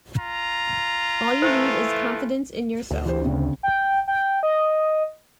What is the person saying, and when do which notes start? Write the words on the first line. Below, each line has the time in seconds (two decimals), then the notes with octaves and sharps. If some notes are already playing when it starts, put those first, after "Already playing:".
All you need is confidence in yourself.
0.18 F4 A#5
1.42 E3 A3 C5
2.91 D2
3.05 E3 G4 C5
3.22 C#3 C4 D4
3.63 G5
4.08 G5
4.43 D#5